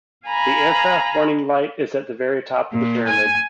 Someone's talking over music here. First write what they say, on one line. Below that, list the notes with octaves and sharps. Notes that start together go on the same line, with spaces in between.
The aircraft warning light is at the very top of the pyramid.
F5 G#5 A#5 B5
A#2
G#5